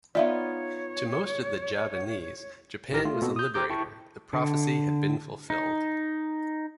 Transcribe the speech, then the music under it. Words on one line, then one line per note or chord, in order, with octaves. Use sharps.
To most of the Javanese, Japan was a liberator: the prophecy had been fulfilled.
B3 D#4 F4 C#5 D5 E5 F5
A1 E3 G4 A#4 A#6
A3 F4
B2 B3 C4 F#4 A4
D#6 G6
G4 C5 A#5 D6 G6
E4 G5 A5 C#6
D3
D#4